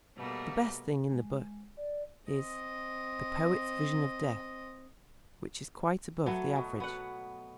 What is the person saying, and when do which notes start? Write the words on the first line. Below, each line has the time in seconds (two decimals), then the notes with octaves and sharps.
The best thing in the book is The Poet's Vision of Death, which is quite above the average.
0.16 B2 G3 A3 A#3
1.11 G#3
1.77 D5
2.30 C4 D#5
6.26 F#3 A3 B3
6.56 B2
6.80 B3 F#5